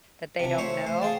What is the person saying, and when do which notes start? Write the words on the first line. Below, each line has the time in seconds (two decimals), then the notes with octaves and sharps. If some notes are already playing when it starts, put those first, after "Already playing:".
that they don't know,
0.40 C3 F3
0.58 A3 C5 C#5 E5
0.87 C5
1.02 G#4 F5 G5 A5